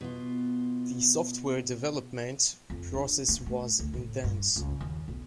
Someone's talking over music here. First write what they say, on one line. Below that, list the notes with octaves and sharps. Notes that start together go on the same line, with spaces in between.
The software development process was intense.
B2 F4
F2
D4
A#3
A3
D2
A2
G2
C#2
D#2
B1